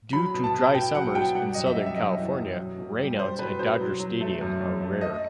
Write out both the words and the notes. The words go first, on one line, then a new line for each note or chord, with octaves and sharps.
Due to dry summers in Southern California, rainouts at Dodger Stadium are rare.
F#3 B5
B2
A5
B2
B2 G5
F#3 F#5
B2 G5
G3 F#5
F#2 D#5
E5
G3
E5
F#2 D#5
E3
F#2
B2
B2
G3
G3 C5
B2 B4
B2 C5
F#3
F#3
A3
F#2
F#2
A3
A3 D#5